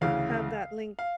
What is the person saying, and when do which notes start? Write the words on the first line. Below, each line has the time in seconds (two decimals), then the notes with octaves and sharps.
have that link
0.01 D2 C#3 E3 F5
0.99 F5